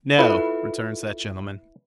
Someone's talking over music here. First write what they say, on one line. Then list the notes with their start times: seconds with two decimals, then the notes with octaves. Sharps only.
'No,' returns that gentleman.
0.19 E4 F4 A4 B4